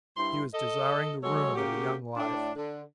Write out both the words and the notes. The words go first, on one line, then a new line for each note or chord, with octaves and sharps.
He was desiring the ruin of a young life.
G2 E4 C6
A4 D#5
F#3 G#3 A4 C#5
C#3 A#3 F#4 G4
A2 D4
D3